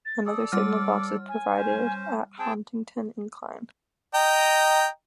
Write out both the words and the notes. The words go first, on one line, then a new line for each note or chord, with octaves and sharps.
Another signal box was provided at Honiton Incline.
A6
A4 D5 D#6
G3 D6 F6
G#5
C#4 C5
C4 G#4 G5 A5
D#5 G5 A#5